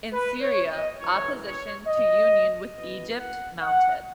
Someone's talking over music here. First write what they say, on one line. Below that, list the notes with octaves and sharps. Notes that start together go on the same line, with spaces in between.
In Syria, opposition to union with Egypt mounted.
B4
C#5
D#5
F#1 F#2 E3 C#5
C#5
D#5
F#1 F#2 E3 B3 D#5
F#5
F#5